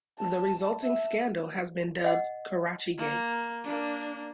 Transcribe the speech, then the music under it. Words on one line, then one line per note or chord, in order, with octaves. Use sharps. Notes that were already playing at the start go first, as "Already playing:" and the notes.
The resulting scandal has been dubbed "Karachigate".
A5
E5
D#5 F#5
A#3
A#3 D4